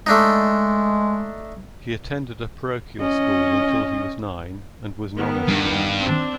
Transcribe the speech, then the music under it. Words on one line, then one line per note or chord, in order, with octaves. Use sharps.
He attended a parochial school until he was nine and was an honor student.
G#3 A3 D4 D#4
C#4 D#5
D#3 B3
G2
C4 D4